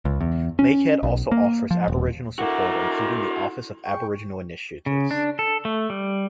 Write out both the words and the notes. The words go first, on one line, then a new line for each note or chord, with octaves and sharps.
Lakehead also offers Aboriginal support including the Office of Aboriginal Initiatives.
C#2
E2
C#4
B1
A#3
F3
D#1
E4 F#4 A4 A#4 D6
G#4 G5 C#6
C#3
D4
A4
A3
G3